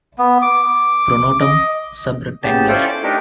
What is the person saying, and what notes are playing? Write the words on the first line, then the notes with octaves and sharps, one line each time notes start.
Pronotum sub rectangular.
B3
D6
D#5
C#3 B3 G4 A5
C#4 E4 F4 A4 C5 D5
D6
A3 D4 D#4 G4 A#4